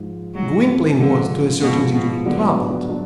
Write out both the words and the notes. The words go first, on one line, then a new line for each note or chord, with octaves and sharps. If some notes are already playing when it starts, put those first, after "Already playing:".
Gwynplaine was, to a certain degree, troubled.
Already playing: G#2 F3 G#3
G#2 F3 F#3 G#3
G#2 D3 F3 G#3
G#2 B2 F3 G#3
B2
G#2 D3 F#3 B3 D4
F#3 B3 D4